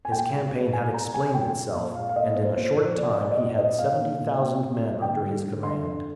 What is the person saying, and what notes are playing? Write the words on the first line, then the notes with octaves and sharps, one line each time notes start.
His campaign had explained itself, and in a short time he had seventy thousand men under his command.
G#5
A#2 G5
G#3
G#3
G#3 G#5
G#3 A#5
G#3 G#5
A#2 G5
G#3
A#2
G#3 F5
F5
A#2 D#5
A#2 C5
A#2 C5
F3 C5
A#2 D5
G#3 D5
D#5
A#2 D5
A#2 D#5
G#3 F5
A#2
A#2
A#2 G5
A#2
G#3
D3 G5
G3
D3
D3 C6
D3